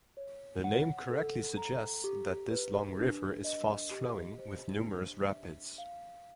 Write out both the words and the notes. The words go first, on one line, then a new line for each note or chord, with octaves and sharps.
The name correctly suggests that this long river is fast flowing, with numerous rapids.
C#5
F#5
A4
A#5
G4
B4
D4
D#5
G4
C5
D4
E5
F5